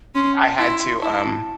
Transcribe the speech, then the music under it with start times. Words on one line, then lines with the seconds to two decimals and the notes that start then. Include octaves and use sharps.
I had to, um
0.15 C#4 C6
0.36 A5
0.57 E4 C6
0.80 C6
1.01 E4 A5